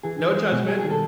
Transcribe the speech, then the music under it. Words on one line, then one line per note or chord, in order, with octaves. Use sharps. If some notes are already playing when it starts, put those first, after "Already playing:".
No judgment.
E3 G#4
E3
G#3
B2
G3 G#4
D#3 G#4
A4